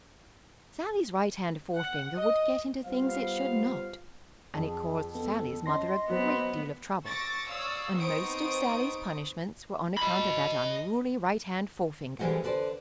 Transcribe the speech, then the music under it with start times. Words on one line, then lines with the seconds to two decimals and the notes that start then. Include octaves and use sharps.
Sallie's right-hand forefinger would get into things it should not, and it caused Sallie's mother a great deal of trouble, and most of Sallie's punishments were on account of that unruly right-hand-forefinger.
1.78 F#5
2.15 D#5
2.86 G3 B3 F4 C5 F5
4.54 F2 G#4
5.15 B3 A4
5.66 C#4 D#5 C6 A#6
6.10 F#3 B3 C5
7.05 C#6 D6 E6 A6 A#6 C#7
7.49 C#5 D5 F5 C#6 D#6 E6
7.96 B3 C4 D#4 C#6 D#6 D7
9.97 D#5 B5
12.19 D3 E3 G3 G#3 C5 F#5
12.44 D3 B4 C5 D5